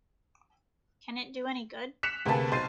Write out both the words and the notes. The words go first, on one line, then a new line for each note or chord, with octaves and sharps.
Can it do any good?
F#6 B6 C#7 E7 F7
D2 C3 A#3 G#4 B4 A5
B1 C5 A6 C7 D#7